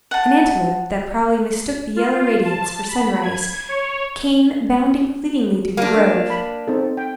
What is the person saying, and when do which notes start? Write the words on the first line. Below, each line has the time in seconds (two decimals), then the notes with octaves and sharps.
An antelope, that probably mistook the yellow radiance for sunrise, came bounding fleetly through the grove.
0.11 F#5 A5
1.96 F4
2.44 A5
2.89 B5
3.23 G#6
3.69 C#5
5.77 A#3 D4
6.30 B5
6.68 C4 D#4 A4
6.97 G5